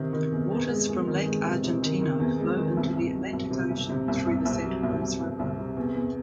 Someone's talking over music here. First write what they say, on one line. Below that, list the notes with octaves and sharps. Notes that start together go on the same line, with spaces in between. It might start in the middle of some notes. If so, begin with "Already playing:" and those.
Waters from Lake Argentino flow into the Atlantic Ocean through the Santa Cruz River.
Already playing: C3 D#3
D#3
E2
E2
G#3
E2
D#3
G#3
C3
C3
D#3
D#3
E2
G#3
D#3
C2
C2
F#3
C2
C3
C2
C3
C2
C2
C2
F#3
C2
C2
C2
C2
C3
E2
E2